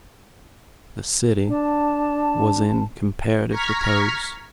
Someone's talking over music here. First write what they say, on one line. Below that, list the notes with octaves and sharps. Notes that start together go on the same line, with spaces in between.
The city was in comparative repose.
D4 A5
A#5 C#6 F6 G#6 B6